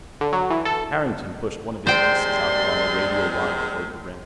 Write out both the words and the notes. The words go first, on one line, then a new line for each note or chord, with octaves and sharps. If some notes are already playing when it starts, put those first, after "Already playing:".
Harrington pushed one of his pieces out along a radial line toward the rim.
D3
F#3
E3
A4
D#2 C3 G#3 C5 D5 G5 C6